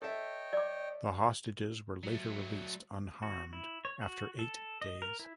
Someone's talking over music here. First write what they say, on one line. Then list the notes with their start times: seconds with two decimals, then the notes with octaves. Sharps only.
The hostages were later released unharmed after eight days.
0.02 A4 C#5 D#5 E5 G5
0.53 D5 D6
2.03 F#3 A3
3.22 F#4
3.53 E4
3.85 C#5
4.01 F#4
4.39 A4
4.81 D#5
5.02 A#4
5.19 E4